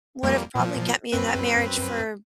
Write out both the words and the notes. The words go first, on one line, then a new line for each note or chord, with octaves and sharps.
would have probably kept me in that marriage for
F2 G3 A#3
A#2 F3
F#2 C4 B4